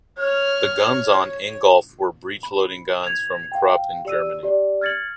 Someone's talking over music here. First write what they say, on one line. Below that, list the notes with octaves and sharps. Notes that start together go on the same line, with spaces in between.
The guns on "Ingolf" were breechloading guns from Krupp in Germany.
C#5 F6
B5
G#6 F7
F5 G5
G4 D5 E6 D#7
G4 D5
F6 G#6 A6 C#7 F#7